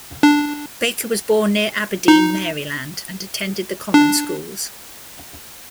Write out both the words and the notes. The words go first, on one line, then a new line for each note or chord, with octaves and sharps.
Baker was born near Aberdeen, Maryland and attended the common schools.
D4
D#4
D4